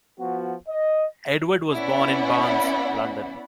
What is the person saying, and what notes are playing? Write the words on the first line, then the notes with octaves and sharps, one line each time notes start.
Edwards was born in Barnes, London.
F3 B3 F#4
D#5
B3 C#4 E4 D5 F#5 B5